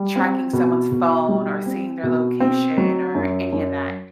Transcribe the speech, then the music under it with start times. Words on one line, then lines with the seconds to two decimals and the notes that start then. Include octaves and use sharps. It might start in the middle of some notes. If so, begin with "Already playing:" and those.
tracking someone's phone, or seeing their location, or any of that.
Already playing: G3
0.16 C4
0.53 B2
0.92 B2
1.29 G3
1.66 C4
2.03 B2
2.40 C4
2.78 F#3
3.15 F#2
3.52 F#2